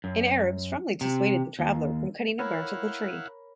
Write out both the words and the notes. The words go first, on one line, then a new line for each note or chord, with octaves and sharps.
An Arab strongly dissuaded the traveller from cutting a branch of the tree.
F#2
C3
D#2
E4 A#4 C#5 F5 F#5 B5